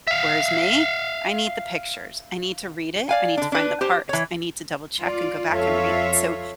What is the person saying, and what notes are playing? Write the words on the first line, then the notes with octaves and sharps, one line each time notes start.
Whereas me, I need the pictures. I need to read it. I need to find the parts. I need to double check and go back and read it. So,
E5 F5
D5 F5 G#5
D3 D4
D4 B4
G4 C5
E3 C#5
F4 D5
F2 F4 A4 C#5 E5 F5